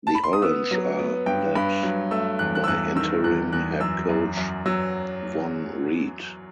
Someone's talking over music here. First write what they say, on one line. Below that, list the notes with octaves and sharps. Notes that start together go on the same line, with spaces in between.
The Orange are led by interim head coach Vonn Read.
A5
B5
C6
D#6
B3 E6
F#3
B3
G2 G5
G2 B5
F#3
A3 E6
E2 F#6
F#6
E6
E2 F#6
D#3 E6
E2 F#6
E2 F#6
F#2 E6
F#2
F#2
F#3 E6